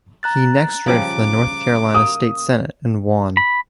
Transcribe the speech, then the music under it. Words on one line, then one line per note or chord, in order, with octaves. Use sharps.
He next ran for the North Carolina State Senate and won.
A#5 F#6 A6
C#3 F3 G3 D6
A#3 D#6
B5